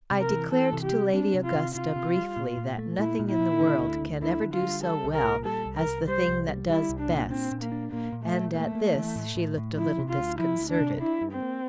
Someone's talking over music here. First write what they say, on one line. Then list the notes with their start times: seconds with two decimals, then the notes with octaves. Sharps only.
I declared to Lady Augusta briefly that nothing in the world can ever do so well as the thing that does best; and at this she looked a little disconcerted.
0.11 C3
0.21 A#4
0.31 E3
0.52 E3 A4
0.73 C3
0.82 G4
0.92 G3
1.13 C4 D4
1.34 C3
1.44 F4
1.55 C3
1.75 C3 F4
1.96 C3
2.16 G3
2.37 A#2
2.57 A#2
2.78 A3
2.99 A#2 E4
3.19 A#2
3.29 E4
3.40 A#2
3.60 D3
3.81 D2
4.01 D2
4.22 D3 E4
4.43 D3
4.54 F4
4.63 G3
4.84 G3 A4
5.04 C2
5.14 A#4
5.24 A#2
5.45 G3 A4
5.66 C2
5.77 A#4
5.86 C2
6.08 G3 C5
6.28 C2
6.48 G3
6.69 G3 E4
6.89 C2
6.99 D4
7.10 A#2
7.31 C4 D4
7.51 A#2
7.62 A#3
7.72 D4
7.92 A#2 A#3
8.12 A#2
8.24 A3
8.34 A#2
8.55 A3 A#3
8.75 A#3
8.95 E3
9.16 A2
9.36 A2
9.57 A2
9.77 F3 E4
9.99 C3
10.09 F4
10.19 D2
10.39 F3 E4
10.60 D2
10.70 D4
10.81 C3
11.01 D4 E4
11.22 G2
11.32 C4
11.42 A#3